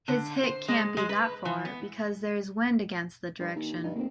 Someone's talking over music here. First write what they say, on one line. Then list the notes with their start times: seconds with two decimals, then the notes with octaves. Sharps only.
His hit can't be that far because there is wind against the direction.
0.08 D3
0.44 C5
0.68 G#3
0.97 G#3
1.09 B4
1.45 E3
1.65 B3
3.40 G2
3.56 D#2
3.84 G2 D#4
3.96 F1 A#3 C4